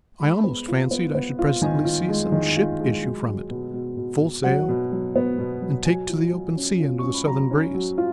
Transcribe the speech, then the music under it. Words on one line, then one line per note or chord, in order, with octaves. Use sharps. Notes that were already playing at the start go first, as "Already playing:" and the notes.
I almost fancied I should presently see some ship issue from it, full sail, and take to the open sea under the southern breeze.
G#3 B5
B3
F4
B3
B3
F4
D#3 G#5
F4
G#3
D#3
F4
G#3
F#3
F#3
B2
B2
B2
B2
F#3 F#5
B2
F#3
B3
B2
F#3
F#3 G#5
F4
F#3
C#4
F4
C#4 C#6
B5
F#3 A#5
C#4
F#3
F4